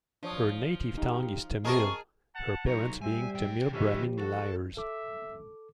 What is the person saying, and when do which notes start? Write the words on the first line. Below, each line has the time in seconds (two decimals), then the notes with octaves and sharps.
Her native tongue is Tamil, her parents being Tamil Brahmin Iyers.
0.23 F3 D4 C#5 D#6
0.98 D#4 G4
1.65 C3 G#4 A#4 D#5 A5 C#6
2.34 F#5 A5
2.66 F#3 D#4 A#5 C#6
3.02 G3 C4 E5 G#5
3.35 B2 G5
3.73 D3 F3 C#4 G4 B4 D#5 E5
4.18 F#4 A4
4.77 A4 E5 D6